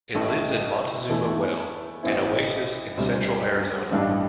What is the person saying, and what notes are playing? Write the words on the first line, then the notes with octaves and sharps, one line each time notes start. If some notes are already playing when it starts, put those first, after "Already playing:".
It lives in Montezuma Well, an oasis in central Arizona.
A1 A2 A3
E2 E3 A3 E4
A1 A2 E3 C4 E4
D2 C3 G3
A1 G2 G3 D4